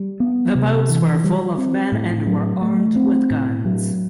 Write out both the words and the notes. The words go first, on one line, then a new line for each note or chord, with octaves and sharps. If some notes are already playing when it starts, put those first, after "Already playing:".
The boats were full of men and were armed with guns.
Already playing: G3
B3
C3
E3
G3
C4
A2
F#3
A3
C4
A2
F#3